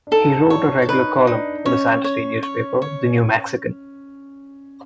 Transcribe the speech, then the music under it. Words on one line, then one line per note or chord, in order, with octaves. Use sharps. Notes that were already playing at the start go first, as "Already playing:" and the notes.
He wrote a regular column for the Santa Fe newspaper, The New Mexican.
D4
D#4 A4
D#4
D4 C#5
D#4 B4
D4 D#4
C#4 C#5
C#5
C#5
C#5